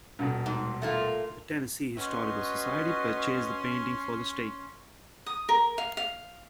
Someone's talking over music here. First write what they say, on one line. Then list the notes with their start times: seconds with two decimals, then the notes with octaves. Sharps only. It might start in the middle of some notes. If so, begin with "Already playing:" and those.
The Tennessee Historical Society purchased the painting for the state.
0.19 D#1 B2
0.46 G#2
0.82 A3 A#3 F4
1.96 C#4 F#4 B4 D#5 C6
5.26 D#6
5.49 A#4
5.78 F5
5.97 F5